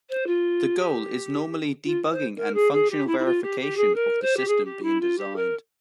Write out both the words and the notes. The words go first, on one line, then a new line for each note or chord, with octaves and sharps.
The goal is normally debugging and functional verification of the system being designed.
C5
F4
G4
F4
C5
A#4
G#4
G#4
G4
E4
E4
F4
G4
G4
G#4
A#4
C5
G4
G#4
G4
E4
F4
G4
A#4